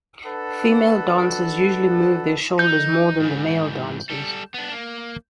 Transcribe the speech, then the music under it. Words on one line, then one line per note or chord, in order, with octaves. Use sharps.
Female dancers usually move their shoulders more than the male dancers.
D4 A4 B4 F#5
D#4 G6
G#2 E3
G3 A4
B3 D4
A#3